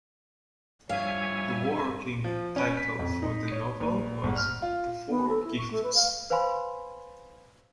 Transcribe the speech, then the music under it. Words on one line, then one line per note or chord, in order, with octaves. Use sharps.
The working title for the novel was "The Four Gifts".
G2 F3 G3 C#5 E5 F5 G#5
F3
C#4
B6
F2
D#4
C#5
A#1
G1
F6
F4
B3
A4
E4
C#6
A3
B4
F5
B4 C5 F5 G#5 B5 C6